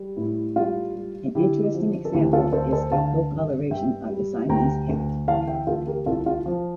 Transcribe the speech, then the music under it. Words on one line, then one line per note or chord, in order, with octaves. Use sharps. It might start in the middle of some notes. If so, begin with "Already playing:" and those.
An interesting example is the coat coloration of the Siamese cat.
Already playing: G3
A2 E4
G3 F4
G3
D3 E4 G4
F3
A4
D2 E4 G4
F4 A4
D2 A4 C5
A4 C5
D3 F5 A5
G2
G2 E5 G5
G3
D2 G5 A#5
D2
E3 F5 A5
E5 G5
D2 F4 A4
G4 A#4
C2 F4 A4
F4
F3